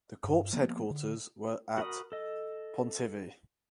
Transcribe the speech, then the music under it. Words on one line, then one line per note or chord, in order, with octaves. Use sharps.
The corps headquarters were at Pontivy.
G2
F3 A#3 B3
D3
F#4 A#4 B5 D#6
A4 D#5